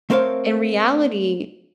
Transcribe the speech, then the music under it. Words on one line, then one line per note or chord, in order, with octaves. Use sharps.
in reality,
A3 C4 A#4 C5 C#5 F5